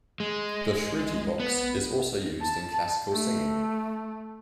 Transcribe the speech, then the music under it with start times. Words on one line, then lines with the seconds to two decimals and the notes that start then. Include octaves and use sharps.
The shruti box is also used in classical singing.
0.20 G#3
1.40 B3
2.41 A5
3.12 A3